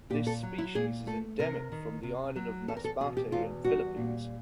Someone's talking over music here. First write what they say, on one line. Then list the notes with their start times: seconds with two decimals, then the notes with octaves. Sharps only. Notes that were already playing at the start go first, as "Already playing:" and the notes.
This species is endemic from the island of Masbate in Philippines.
0.10 A#2 G4
0.27 A4
0.43 F#3
0.58 E4
0.75 A#2 G#4
1.07 A3 A4
1.39 C3 A#4
1.72 D#3
2.03 C3
2.36 F#3
2.68 E2 A4
2.77 A#4
2.84 A4
3.00 B2 G#4
3.17 G4
3.32 E2 F4
3.64 G3 F#4
3.97 A#2